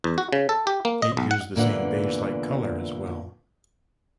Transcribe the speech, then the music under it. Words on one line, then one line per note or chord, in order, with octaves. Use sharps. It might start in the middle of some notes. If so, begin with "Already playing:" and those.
It used the same beige-like color as well.
E2
F#4
C#3
A4
G4
A#3
D#5
B1
F#5
E2 A#2 D3 E3 F#5